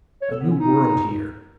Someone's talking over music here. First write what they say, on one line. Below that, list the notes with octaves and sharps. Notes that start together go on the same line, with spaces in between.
A new world here.
C#5
A4
B3
C#4
D#4